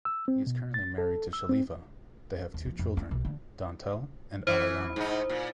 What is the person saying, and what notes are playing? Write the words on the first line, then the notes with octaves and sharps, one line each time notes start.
He is currently married to Shalifa; they have two children, Dantel and Alayana.
E6
C4
B2
A6
A4
E6
C4
D#2
F3
F2
C#4
B1
D3
E3 C5
G#2 D#4
A#2